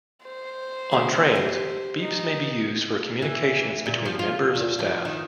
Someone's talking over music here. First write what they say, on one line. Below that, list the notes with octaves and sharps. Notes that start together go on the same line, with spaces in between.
On trains, beeps may be used for communications between members of staff.
C5
D3 A3 G#4
G4
D#4
E3
A#2
F3
F4
E2
F3
D#3